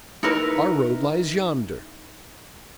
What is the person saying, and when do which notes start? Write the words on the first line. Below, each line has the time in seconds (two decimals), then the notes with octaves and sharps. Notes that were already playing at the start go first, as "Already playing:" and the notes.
"Our road lies yonder."
0.23 D#4 E4 A#4 B4